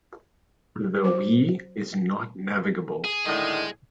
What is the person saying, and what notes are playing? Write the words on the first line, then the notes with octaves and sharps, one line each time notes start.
The Ui is not navigable.
F#3 F#4 C5 D6
G#4
A2 D3 D#3 G#4 D#5